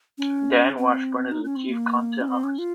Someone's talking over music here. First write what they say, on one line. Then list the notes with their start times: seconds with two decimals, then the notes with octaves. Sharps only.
Dan Washburn is the Chief Content Officer.
0.18 C#4
0.78 C4
1.32 D#4
1.44 C#4
1.56 C4
1.69 A#3
2.21 C#4
2.28 C4
2.44 C#4
2.58 F4